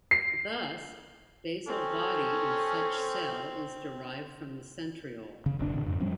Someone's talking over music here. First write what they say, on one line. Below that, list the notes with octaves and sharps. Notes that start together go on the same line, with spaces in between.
Thus, basal body in such cell is derived from the centriole.
C7
C4 C#4 A4
C#3
F1 B1 C4 D4
A#2 D3
F2 G#2
F3 G3 C4 C#4